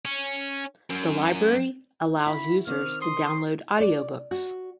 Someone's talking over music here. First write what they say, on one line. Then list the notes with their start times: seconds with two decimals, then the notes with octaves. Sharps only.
The library allows users to download audiobooks.
0.05 C#4
0.90 F#2
2.26 E4 F#4 B5
2.67 D#3 C4 D5 F6
3.02 C6 D#6
3.80 D5
4.31 F#4